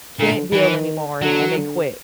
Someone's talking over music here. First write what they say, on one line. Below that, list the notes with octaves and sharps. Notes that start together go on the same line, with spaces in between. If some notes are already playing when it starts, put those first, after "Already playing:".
can't deal anymore, and they quit.
A#2 D3
D#3 E3
D3 F#3
D3